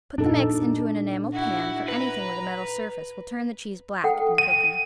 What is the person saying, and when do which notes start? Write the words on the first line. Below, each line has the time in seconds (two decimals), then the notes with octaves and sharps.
Put the mix into an enameled pan, for anything with a metal surface will turn the cheese black in cooking.
0.18 A#2 D4 D#4 A4
1.33 E4 F#4
1.88 B4 A#5
4.04 A4 F#5 G5
4.38 D#7